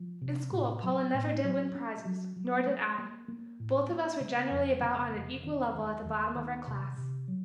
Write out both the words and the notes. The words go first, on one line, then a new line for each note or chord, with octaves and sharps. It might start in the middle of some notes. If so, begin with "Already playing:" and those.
In school Paula never did win prizes--nor did I. Both of us were generally about on an equal level at the bottom of our class.
Already playing: F3
C3
A2
F#3
A2
F#3
C#4
F#3
F#3
A3
A#3
A#3
A2
A#3
C#3
F2
C#3
F1
D#3
D#2
D#2
D#3
C3
C3
F#3